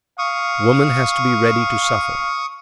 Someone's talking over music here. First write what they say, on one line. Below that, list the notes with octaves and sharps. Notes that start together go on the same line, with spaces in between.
Woman has to be ready to suffer.
F5 C#6 D#6